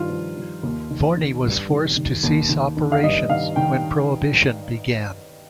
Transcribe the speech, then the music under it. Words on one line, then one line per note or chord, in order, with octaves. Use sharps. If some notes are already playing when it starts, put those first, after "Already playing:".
Forni was forced to cease operations when Prohibition began.
Already playing: G2 D#3 F4
F3
F3
D#2
D#3
D#3
G2
D#3
D#3
D#2
D#3
D#3
F5
G2 D#5
D#3 F5
D#3 G5